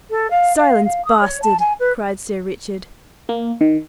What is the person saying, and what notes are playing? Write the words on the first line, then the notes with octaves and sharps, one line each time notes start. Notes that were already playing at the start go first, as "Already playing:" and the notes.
"Silence, bastard!" cried Sir Richard.
A4
F5
F5
F5
D#6
C#5
A5
G#5
B4
A#3
D#3